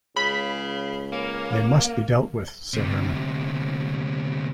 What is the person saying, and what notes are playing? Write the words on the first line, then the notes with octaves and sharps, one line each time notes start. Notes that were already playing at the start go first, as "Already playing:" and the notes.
"They must be dealt with," said Hermann.
C#2 C#3 B5
A#3 C#4
D2 C3